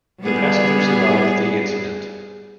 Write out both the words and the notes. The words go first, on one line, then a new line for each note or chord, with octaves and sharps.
The passenger survived the incident.
G3 B3 G#4